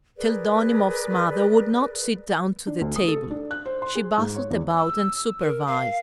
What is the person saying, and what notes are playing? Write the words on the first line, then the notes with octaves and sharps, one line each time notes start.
Pseldonimov's mother would not sit down to the table; she bustled about and supervised.
G#4 A#4 B4 D5
D4
D2
D#6
A4
D4
F#6
C5
C6
G#4
G#2
C#5
E2
E6
A#4
F5